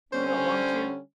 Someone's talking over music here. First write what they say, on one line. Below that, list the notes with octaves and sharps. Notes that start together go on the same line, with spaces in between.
You will, won't you?
D3 G3 C#4 C5